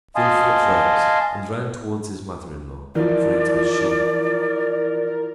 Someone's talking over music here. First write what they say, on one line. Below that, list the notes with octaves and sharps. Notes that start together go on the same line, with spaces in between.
Villefort rose, and ran towards his mother-in-law, for it was she.
D#5 F5 G#5 A5 C6 D#6
E3 F3 A#4 D5